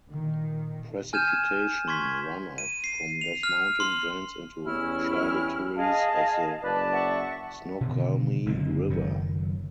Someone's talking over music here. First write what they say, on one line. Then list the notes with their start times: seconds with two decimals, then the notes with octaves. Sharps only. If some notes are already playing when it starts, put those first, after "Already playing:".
Precipitation runoff from this mountain drains into tributaries of the Snoqualmie River.
0.10 A#2 D#3
1.13 G#5 F6 G6 G#6 D#7 E7
1.88 C6 C#6 G#6 B6
2.58 D#7
2.84 C7
3.21 F7
3.43 F6
3.80 C6
4.65 E2 G3 C#4 E4 F6
5.76 G#4 D#5 F5 A5
6.62 F#1 B4 D5 A5
6.91 E5 F#5 C#6
7.81 B2 D3 D#3
8.46 F#1 D3 G#3 C4
8.89 F#1 D#3 F#3